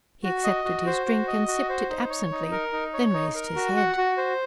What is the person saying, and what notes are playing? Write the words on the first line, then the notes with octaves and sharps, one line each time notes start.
He accepted his drink and sipped it absently, then raised his head.
F#4
D#5
F#4
C5
F#4
D#5
F#4
C5
D#4
C#5
D#4
A#4
D#4
C#5
D#4
A#4
F#4
F#5
F#4
C5